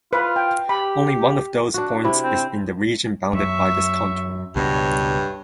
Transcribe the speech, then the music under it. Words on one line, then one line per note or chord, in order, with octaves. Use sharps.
Only one of those points is in the region bounded by this contour.
F4 B4
G5
G4 B5
D4 F#4
C3 E4 G4
C4
F#2 E5 C#6
C#2 G2 B2 C#5